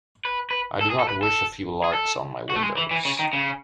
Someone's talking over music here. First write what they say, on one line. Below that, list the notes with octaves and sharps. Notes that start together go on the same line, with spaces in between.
I do not wish a few larks on my windows.
B4
B4
A4
G#4
A4
B4
A4
G#4
A4
F#4
A3
G#3
E3
E3
C#3
D#3
C#3